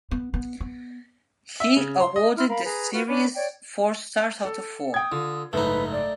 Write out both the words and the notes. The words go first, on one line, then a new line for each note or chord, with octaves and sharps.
He awarded the series four stars out of four.
B3
B3
B3
E5
C#3
C6
D#5
E4 C6 D#6 F6
A#4 F5 B5
G#4 B4 A#5
F4 F#4 B4
C#4 D4 B5 D6
C#5 D5 G5
A4
G5 D#6 G#6
D3 F4
F#1 G#2 A3 D#4 B4
D5